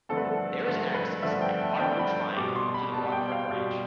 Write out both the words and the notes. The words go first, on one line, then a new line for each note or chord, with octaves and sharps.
There is access at Watford triangle to the Watford branch.
G2 D3 F3 A3 A4
B4
A4
G2 D3 F3 A3
B4
G2 D3 F3 A3 E5
G5
A5
G2 D3 F3 A3 G5
B5
B2 G3 D6
C6
B5
B2 G3 A5
G5
F5
B2 G3